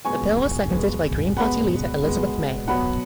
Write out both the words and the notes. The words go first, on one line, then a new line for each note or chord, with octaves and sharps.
The bill was seconded by Green Party leader Elizabeth May.
B2 G#3 B3 G#5 C#6
B2 G#3 B3
B2 G#3 B3 F#5 B5
B2 G#3 B3
B2 F#3 B3 F#5 B5